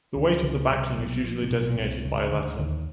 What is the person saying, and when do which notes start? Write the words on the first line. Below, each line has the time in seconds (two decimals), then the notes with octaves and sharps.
The weight of the backing is usually designated by a letter.
0.16 D2 D3
0.43 C#2 C#3
0.70 C2 C3
0.97 B1 B2
1.24 A#1 A#2
1.43 C3
1.51 B1 B2
1.77 C2 C3
2.05 C#2 C#3
2.31 D2 D3
2.59 D#2 D#3